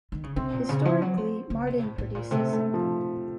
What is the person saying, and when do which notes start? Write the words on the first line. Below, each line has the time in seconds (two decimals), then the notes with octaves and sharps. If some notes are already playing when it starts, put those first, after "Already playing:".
Historically, Mardin produced sesame.
0.12 D#3
0.23 C#3
0.36 C3 C4
0.53 A#2
0.69 C#3
0.85 F3
1.02 F#3
1.17 F3
1.50 C#3
1.67 C3
1.83 A2
1.98 A2
2.15 A#2
2.31 C3 A3
2.53 A3
2.74 F3